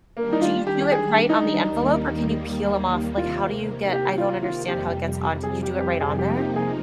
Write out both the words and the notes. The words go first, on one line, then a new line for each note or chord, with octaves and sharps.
Do you do it right on the envelope or can you peel 'em off like, how do you get I don't understand how it gets on t you do it right on there?
D#3 G3 A#3 D4
D#4
F4
G4
G4
G#4
D#4
D#2 D#3 G3 A#3
C3 D#3 A#3 F4
G4
F4
F4
F2 C3 G3 G4
G#4
G4
G4
G#4
C3 F3 A#3 D#4 G4
G4
G#4